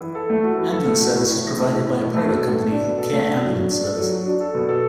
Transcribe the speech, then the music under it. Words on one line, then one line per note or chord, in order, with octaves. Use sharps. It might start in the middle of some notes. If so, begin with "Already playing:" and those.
Ambulance service is provided by a private company, Care Ambulance Service.
E3
A4
A3
F#4
E3
A4
A3
F#4
A2
A2
E3
A3
A2
A2
E3
A3
B2
A4
A3
D4
B2
A4
A3
D4
F#3
F#3
D4
A4
F#3
F#3
D4
A4
B2
A4